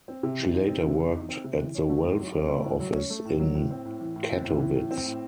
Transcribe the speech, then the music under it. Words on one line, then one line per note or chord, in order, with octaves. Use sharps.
She later worked at the welfare office in Kattowitz.
C4
C3
E3
D#4
C4
C3
E3
D#4
C4
C3
E3
C#4
A3
A2
F#3
C#4
A3
A2
F#3
C#4
A3
A2
F#3
A2
C4
A2
E3
A2
C4
A2
E3
A2
C4
A2